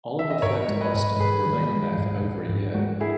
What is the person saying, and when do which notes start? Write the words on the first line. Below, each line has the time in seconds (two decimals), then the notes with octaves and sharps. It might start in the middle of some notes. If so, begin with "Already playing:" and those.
Oliver fled to Boston, remaining there for over a year.
0.19 E5
0.31 D#5
0.42 G#2 A#4 C#5
0.68 G#3
0.81 B4 D#5
0.94 G#2
1.20 G#2 G#4 B4
1.46 D#3
1.71 G#3
1.97 G#2
2.22 G#2
2.49 G#2
2.74 G#3 F#4 A#4
3.00 E4 G#4